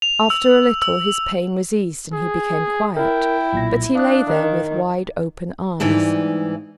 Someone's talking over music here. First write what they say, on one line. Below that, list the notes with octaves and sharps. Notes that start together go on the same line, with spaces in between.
After a little his pain was eased and he became quiet, but he lay there with wide open eyes.
F7
E6
E6
G#4
E4 A#4 G5
B1 A#2 A#6
D4 F5 D#6 F#6
D#3
G#2 E3 G3 D4